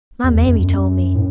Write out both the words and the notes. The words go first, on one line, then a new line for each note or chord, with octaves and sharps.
My mammy tole me.
E2
E2
F#2
A2